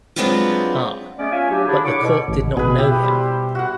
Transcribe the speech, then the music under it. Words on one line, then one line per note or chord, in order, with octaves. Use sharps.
Ah, but the court did not know him.
F#3 G#3 B3 C4 D4 F4
G#3 A3 B3 C#4 D5
F4 C#5 E5 F5 G#5
F#3 D4 G4
D3 D4 E4 G#4
D3 E4 C#5 C#6 D6
B2
A1
B2 G#4 B4
E4 G4
G3 C5
F#4 F#5